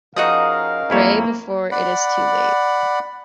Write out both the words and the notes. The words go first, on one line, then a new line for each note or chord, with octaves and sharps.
Gray before it is too late.
F3 C#4 D#4 F#4 G#4 A#4 D#5 F5
F2 A#3 E4 C#5
D5 F#5 B5